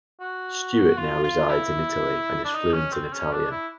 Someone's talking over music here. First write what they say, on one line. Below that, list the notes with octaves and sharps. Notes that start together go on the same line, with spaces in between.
Stewart now resides in Italy, and is fluent in Italian.
F#4
F4
F4
E4
D4
D#4
C#4
C4
C#4
D4
E4